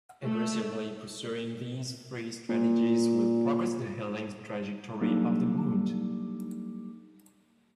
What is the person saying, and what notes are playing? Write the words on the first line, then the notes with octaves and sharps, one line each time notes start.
Aggressively pursuing these three strategies will progress the healing trajectory of the wound.
A3
A#2
F#3 G3 A#3 D4 D#4 A4